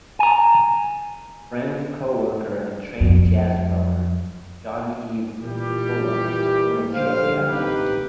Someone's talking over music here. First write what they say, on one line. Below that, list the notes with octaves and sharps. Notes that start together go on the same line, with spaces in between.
Friend, co-worker and trained jazz drummer Jean-Yves Tola joined shortly after.
G#5 A#5
F2
A#2 E3 G3 G4
A#1 D3 G3 C5 F5
A1 C3 A#3 D#4 G4 B4